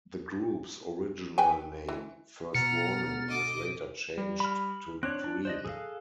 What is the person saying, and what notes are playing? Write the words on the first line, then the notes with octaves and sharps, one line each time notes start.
The group's original name, First Warning, was later changed to Dream.
B4 G5 G#5
E3
B2 B3 A#5 F6 A6 C#7
D#5 D6
G3
B5 F6
C4 D4 C#5 F#6
D4
C5 D5 D#5
G#4 A4 F5